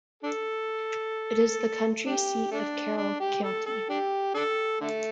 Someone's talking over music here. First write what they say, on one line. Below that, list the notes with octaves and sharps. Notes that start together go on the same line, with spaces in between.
It is the county seat of Carroll County.
D4 A4
D4 G4
A3 D4
D4
G4
A4
A4
D4 G4
D4 A4
D3 A3